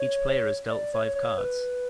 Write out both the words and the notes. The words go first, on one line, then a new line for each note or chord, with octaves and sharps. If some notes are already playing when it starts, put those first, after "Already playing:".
Each player is dealt five cards.
Already playing: C#5
D5
C#5
C#5
B4